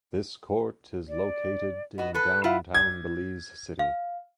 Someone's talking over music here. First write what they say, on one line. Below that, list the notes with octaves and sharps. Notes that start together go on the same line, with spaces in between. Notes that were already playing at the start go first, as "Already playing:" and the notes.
This court is located in downtown Belize City.
D5
B3 F#4 D#5
A4 B4 F#6
E4 F4 E5 F#5
G#6
F5